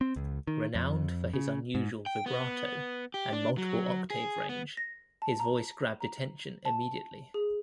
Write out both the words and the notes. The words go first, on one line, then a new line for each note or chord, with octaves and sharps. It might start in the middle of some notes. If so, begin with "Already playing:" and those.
Renowned for his unusual vibrato and multiple octave range, his voice grabbed attention immediately.
C4
C#2
D#3
F2
C#3
G#2
G5
B3
G4
D4
F#3
G#4
B3
A#6
A5
A#5
A#5
A5
G#4